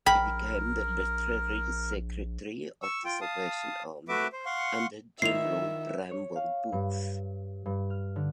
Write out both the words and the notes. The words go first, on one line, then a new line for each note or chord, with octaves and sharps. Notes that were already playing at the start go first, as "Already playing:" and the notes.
He became the literary secretary of The Salvation Army under General Bramwell Booth.
A#1 A#4 G5 B5
C#6 E6
F4 G5
F5 A5 D#6
A3 F#4 B4 E5 D6
C5
F5 F#5 C6 C#6
D#3 E4 F4 E5 C7 F7
C#5
F5
G2
G2
F6
D3